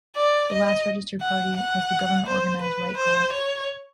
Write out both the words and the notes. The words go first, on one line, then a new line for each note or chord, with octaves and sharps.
The last registered party was the government-organized Right Cause.
D5
D#5
F#5
F#5
C5
B4
C5
C#5